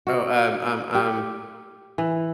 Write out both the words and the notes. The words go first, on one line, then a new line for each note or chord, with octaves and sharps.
Oh, um um um
F#4
G4
E3